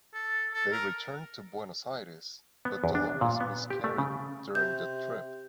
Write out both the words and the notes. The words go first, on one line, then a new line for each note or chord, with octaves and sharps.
They returned to Buenos Aires, but Dolores miscarried during the trip.
A4
A4
A#4
B3
E2
D4
A#2
B3
G4
A3
C#3
C3 G6